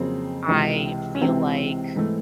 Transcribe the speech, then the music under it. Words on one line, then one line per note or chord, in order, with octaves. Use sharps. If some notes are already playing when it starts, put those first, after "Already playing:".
"I feel like
Already playing: F2 C#3 F#3 A#3 C4
C#2 C3 E3
C#4
C#2 C3 E3 C4
G#2 E3 A3